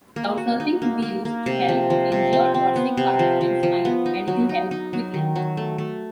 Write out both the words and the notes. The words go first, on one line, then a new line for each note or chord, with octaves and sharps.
Crowdsurfing can be used to help injured or sick participants find medical help quickly.
A#3
F#4
D#4
A#3
A#3
A#3
C3
F3
F3
C3
C4
C4
B3
C3
F3
F3
F3
B3
D#4
F#3
D#4
D#4
F#3
D#3
F#3
A3
A3